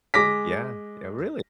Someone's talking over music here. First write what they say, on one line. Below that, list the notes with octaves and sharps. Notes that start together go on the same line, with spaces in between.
Yeah, yeah, really,
G#3 D6 A#6 B6